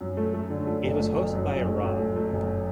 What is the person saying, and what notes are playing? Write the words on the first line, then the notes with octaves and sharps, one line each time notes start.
It was hosted by Iran.
F#2
A3
A3
D3
A3
F#1
A3
F#1
F#2
F#2
A3
F#2
A3
A3
F#1